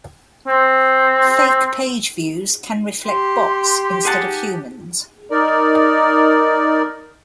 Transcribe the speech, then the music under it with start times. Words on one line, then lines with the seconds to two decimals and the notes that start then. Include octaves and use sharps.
Fake page views can reflect bots instead of humans.
0.47 C4
3.06 G4 C6
4.05 G#4 F#5 A5
5.30 D#4 A#4 D5